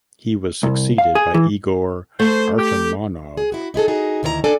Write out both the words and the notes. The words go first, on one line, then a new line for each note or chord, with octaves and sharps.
He was succeeded by Igor Artamonov.
C2
F5
G#4
E3
A3 C5
G4
G#4
E4 F#4
D#4 E4 G#4 A4
D#4 F#4 G#4
D2 D#3 E4 A#4 A#5
D4 A4 D5 G#5